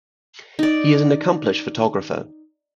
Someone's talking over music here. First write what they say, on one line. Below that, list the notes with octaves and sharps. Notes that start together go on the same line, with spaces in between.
He is an accomplished photographer.
D#4 D5